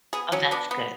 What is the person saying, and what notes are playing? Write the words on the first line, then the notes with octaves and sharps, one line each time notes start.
Oh, that's good.
B3 G#4
F#3 C#4
B3 D4
B3